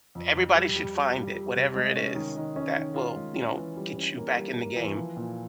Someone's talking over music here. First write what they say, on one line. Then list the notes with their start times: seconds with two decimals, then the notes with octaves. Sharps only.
everybody should find it, whatever it is, that will, you know, get you back in the game,
0.15 F2
0.35 F2
0.55 G3
0.76 G3
0.96 G3
1.16 G3
1.35 G3
1.56 C3
1.76 G#3
1.96 C#4
2.15 D#3
2.36 D#3
2.56 C#4
2.76 D#3
2.96 F4
3.16 G#3
3.36 C#4
3.57 E3
3.77 G3
3.97 C#4
4.17 A#3
4.36 G3
4.57 A#3
4.76 E3
4.97 F3
5.17 A#2